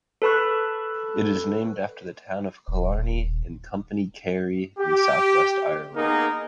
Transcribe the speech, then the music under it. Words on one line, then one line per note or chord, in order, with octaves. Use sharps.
It is named after the town of Killarney in Company Kerry in southwest Ireland.
A4 B4 A5 B5 C#6 F#6
D#1
G4
A#3 B3 D#4 G#4 A#4